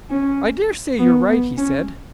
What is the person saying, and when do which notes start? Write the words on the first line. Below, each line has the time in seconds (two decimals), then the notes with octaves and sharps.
"I daresay you're right," he said.
0.10 C#4
0.98 B3
1.27 B3
1.57 C#4